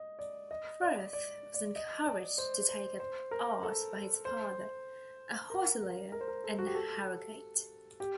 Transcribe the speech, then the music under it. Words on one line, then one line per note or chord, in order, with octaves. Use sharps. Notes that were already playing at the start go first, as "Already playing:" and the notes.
Frith was encouraged to take up art by his father, a hotelier in Harrogate.
Already playing: D#5
D5
D#5
D5
D5
D5
D#5
D5
C5
C5
C5
A#4
A4
C5
A#4
A#4
A#4
C5
A#4
A4
F#4
G4
A4
G4